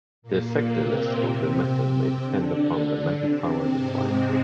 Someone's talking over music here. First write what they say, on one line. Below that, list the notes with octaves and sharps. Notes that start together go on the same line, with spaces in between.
The effectiveness of the method may depend upon the mental power required.
A#2 A#3
C3 C4
C3 C4
C3 C4
D3 D4
C3 C4
G#2 G#3